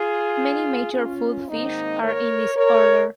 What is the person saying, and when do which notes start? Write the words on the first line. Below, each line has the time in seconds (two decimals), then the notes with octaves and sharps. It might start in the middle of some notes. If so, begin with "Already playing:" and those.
Many major food fish are in this order.
Already playing: F4 G#4
0.94 C#4 F4
1.48 G#2 D#3 A#3 C4 D#4
2.02 A#4 C#5
2.55 A#4 C#5